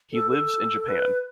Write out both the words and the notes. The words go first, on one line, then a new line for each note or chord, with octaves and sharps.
He lives in Japan.
A4
A4
B4